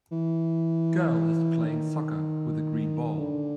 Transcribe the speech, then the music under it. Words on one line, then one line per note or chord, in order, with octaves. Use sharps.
Girl is playing soccer with a green ball.
E3
D#3
D3